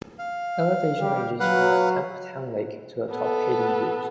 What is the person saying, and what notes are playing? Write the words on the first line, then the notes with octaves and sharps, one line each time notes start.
Elevation ranges from at Tempe Town Lake to atop Hayden Butte.
F5
G3 G4
F#3 B4 F5 F#5
B3 A4